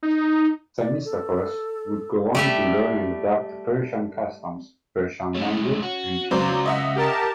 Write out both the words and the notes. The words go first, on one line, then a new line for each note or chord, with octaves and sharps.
Themistocles would go on to learn and adopt Persian customs, Persian language, and traditions.
D#4
D5
A4
G3 A3 E5
A2 G#3 A3 C#4
F#4
C#3 F#3 F4 C5 D5
D#5 E5 F#5
G4 A#4 A5